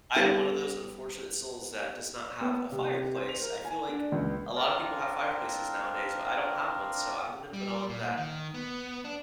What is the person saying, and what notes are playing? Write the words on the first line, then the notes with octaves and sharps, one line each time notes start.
I am one of those unfortunate souls that does not have a fireplace. I feel like a lot of people have fireplaces nowadays, but I don't have one, so I'm gonna put on that
G3 B3 G4 B4 A#6
B3
C3
C5
F7
A#4
G#5
D4
C#2
C4 D4 F4 A#4
G3
A#2
D#3
B3
D4